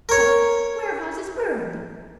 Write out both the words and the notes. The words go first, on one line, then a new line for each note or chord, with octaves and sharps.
"But warehouses burn."
A#4 C#5